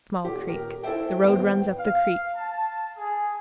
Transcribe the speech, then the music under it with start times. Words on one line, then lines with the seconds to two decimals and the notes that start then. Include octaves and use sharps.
Small Creek.--The road runs up the creek.
0.25 D#1 G4
0.48 A#4
0.83 E4 A4 C5 E5 G5
1.24 G#1 B3 C5 G5
1.78 F5
2.36 A5
2.98 G#4